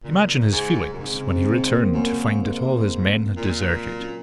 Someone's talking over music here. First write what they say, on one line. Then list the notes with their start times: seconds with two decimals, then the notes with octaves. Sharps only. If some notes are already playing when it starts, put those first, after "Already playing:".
Imagine his feelings when he returned to find that all his men had deserted.
0.04 A#2 C#3
0.52 G#2
0.93 F#2
0.99 G#2 C3
1.15 C#3
1.31 C4
1.47 C4
1.70 A#3
1.94 F#2 A#3
2.42 G#2
2.89 G#3
3.37 A#2
3.84 F#3
4.00 C#4